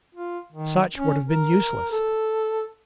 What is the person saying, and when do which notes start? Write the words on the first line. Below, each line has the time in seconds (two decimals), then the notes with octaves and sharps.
Such would have been useless.
0.15 F4
0.52 D#3
0.96 C#4
1.30 A#4
1.92 A4